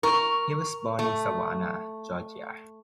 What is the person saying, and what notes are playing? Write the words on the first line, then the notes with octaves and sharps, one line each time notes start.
He was born in Savannah, Georgia.
A#4 C#6
A3